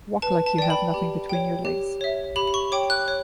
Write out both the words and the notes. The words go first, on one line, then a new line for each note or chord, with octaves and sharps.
Walk like you have nothing between your legs.
B4 A5
A5
D5 G5
B5
G4
C#5 G5
G4
C#5 E5
G4 B5
B5
C#6
C#5 G5 D6
F#6
C#5